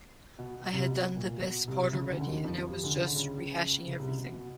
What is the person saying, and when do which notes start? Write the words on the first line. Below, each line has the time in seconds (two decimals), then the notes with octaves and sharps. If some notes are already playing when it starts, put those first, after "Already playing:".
I had done the best part already and I was just rehashing everything.
0.39 B2
0.73 C2 C3
0.91 B2
1.16 A#2
1.41 B2
1.68 C2 C3
1.93 C#2 C#3
2.10 D2 D3
2.20 D3
2.27 D#2 D#3
2.44 F2 F3
2.58 F2 F3
2.70 G2 G3
2.83 D2 D3
2.96 C#3
3.07 D3
3.16 C#2 C#3
3.87 C#3
3.99 C2 C3
4.17 B2
4.34 B2